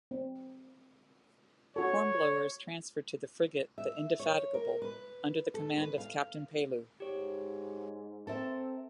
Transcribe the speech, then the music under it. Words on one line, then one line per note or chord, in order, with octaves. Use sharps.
Hornblower is transferred to the frigate the "Indefatigable", under the command of Captain Pellew.
C4
F#4 A4 C#5
E5
C#5
A#4
B4
A4
B4
F5
G#2 G4 C#5
C4 A4 A#4 E5 A5